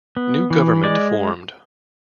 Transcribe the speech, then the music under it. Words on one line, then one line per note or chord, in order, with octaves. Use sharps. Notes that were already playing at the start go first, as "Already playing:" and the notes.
New government formed.
B3
E3
G#3 D5